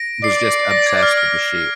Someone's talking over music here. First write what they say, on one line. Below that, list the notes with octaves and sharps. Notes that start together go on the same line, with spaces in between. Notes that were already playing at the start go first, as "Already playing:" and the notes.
was just obsessed with the sheep.
Already playing: A#6 D7
D5 C7
A#6
G#6
F6
F6